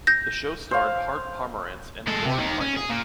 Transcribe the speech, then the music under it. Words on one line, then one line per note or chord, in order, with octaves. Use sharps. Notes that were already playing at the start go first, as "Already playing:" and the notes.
The show starred Hart Pomerantz and Lorne Michaels.
G6 A#6
C5 F5
G#3 A4
C3
D#2 D#3
C#4
G#4
A#2